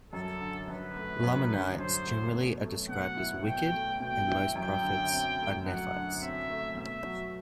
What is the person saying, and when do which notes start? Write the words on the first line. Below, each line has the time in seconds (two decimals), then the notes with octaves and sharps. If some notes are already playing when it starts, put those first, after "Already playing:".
Lamanites generally are described as wicked, and most prophets are Nephites.
0.13 F#2 A4
0.40 D3
0.68 F#2 B4
0.96 A3
1.23 F#2
1.51 D3
1.78 F#2 C5
2.06 A3
2.34 B2
2.62 A3
2.89 B2 F#5
3.17 E4
3.44 B2 G5
3.73 A3
4.00 B2 G5
4.28 E4
4.55 F#2 G5
4.83 D3
5.11 C4
5.38 A3
5.66 F#2 F#5
5.94 D3
6.21 C4 E5
6.49 A3
6.77 B2 E5
7.05 F#3